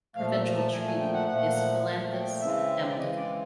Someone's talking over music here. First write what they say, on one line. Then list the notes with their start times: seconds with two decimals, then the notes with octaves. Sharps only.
Provincial tree is "Phyllanthus emblica".
0.16 A#2 F3 A3 F5
0.30 E5
0.44 A#5
0.58 A5
0.72 A#2 F3 A3 G#5
0.86 G#5
1.00 G5
1.14 F#5
1.28 A#2 F3 A3 F#5
1.85 A#2 F3 A3 F#5
2.13 G5
2.41 C#3 E3 G#3 C4 E5
2.88 D5
2.98 C#3 E3 G#3 C4 D#5
3.16 D5